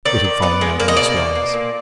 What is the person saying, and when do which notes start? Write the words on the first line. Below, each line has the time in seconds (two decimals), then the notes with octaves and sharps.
It had fallen out in this wise.
0.06 D#3 D5
0.24 D#3
0.42 B3 D5
0.61 G#3
0.80 A#3 D5
0.88 D#5
0.97 B2 D5
1.16 B2
1.35 A#3
1.54 A#2